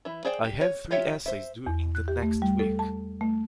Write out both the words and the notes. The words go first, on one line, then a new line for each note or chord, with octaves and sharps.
I have three essays due in the next week.
E3 E4
G#4 C5 D5 G5
G4
C#5
F3 F4 G4 C#5 E5
C5 E5
E2
F#6
G4
A3
G3
A4
A5
A3